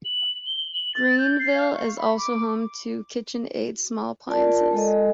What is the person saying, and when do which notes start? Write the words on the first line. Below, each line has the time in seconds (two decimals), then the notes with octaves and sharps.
Greenville is also home to KitchenAid small appliances.
0.05 F#7
0.46 G7
0.74 F#7
0.95 A6
1.19 G6
1.40 C7
1.55 F5
1.74 C#6
1.98 B5
2.18 D6
4.28 F4 A#4 D5 A5
4.73 G#3 A4 D#5